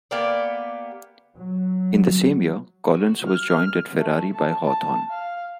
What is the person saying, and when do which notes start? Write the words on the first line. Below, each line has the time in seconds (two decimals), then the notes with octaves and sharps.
In the same year, Collins was joined at Ferrari by Hawthorn.
0.11 A#3 B3 G4 D5
1.36 F#3
2.86 F#4
3.26 F6
3.97 A3
4.34 A5
4.65 A5
5.10 F5